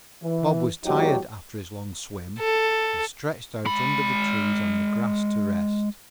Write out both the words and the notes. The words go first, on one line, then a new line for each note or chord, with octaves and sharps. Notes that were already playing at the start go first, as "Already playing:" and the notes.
Bob was tired after his long swim and stretched out under the trees on the grass to rest.
E3
G#1 E2 F#3 D#4 F#4 G4
A4
G#3 B5